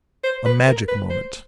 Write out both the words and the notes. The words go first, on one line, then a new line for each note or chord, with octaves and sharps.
A magic moment.
C5
B4
A#4
B4
C5